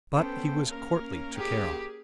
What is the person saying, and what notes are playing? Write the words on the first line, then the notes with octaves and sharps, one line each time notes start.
But he was courtly to Carol.
B3 C#4 A4 C5 G5
A#3 C#4 A#4 F5
G4 G#4